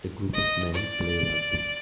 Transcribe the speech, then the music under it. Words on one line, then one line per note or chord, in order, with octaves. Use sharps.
A group of men play rugby.
D#5
D5